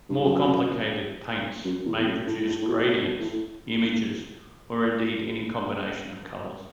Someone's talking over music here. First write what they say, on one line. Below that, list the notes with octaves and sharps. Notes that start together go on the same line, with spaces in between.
More complicated paints may produce gradients, images, or indeed any combination of colors.
G2
F#2
F#2
E2
F#2
A2
A2
A2
B2
B2
A2